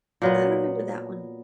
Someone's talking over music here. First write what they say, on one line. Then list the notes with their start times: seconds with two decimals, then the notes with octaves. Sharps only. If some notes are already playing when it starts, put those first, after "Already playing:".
I remember that one.
0.22 A#2 F#3 B3